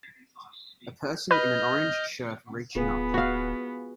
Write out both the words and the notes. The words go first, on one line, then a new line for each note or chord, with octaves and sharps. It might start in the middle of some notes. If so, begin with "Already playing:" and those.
A person in an orange shirt reaching up.
B4 D#5 F6 G6
D1 B3 F4 G#4 B4
F#4 F5